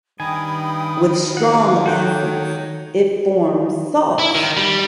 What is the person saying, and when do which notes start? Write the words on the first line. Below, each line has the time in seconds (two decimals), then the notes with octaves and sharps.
With strong acids, it forms salts.
0.20 G2 D#3 G5 G#5 B5 D#6
1.37 B2 F#5
1.86 F#4 A4 C#5 G5 F#6
4.19 E4
4.35 D#3
4.57 G3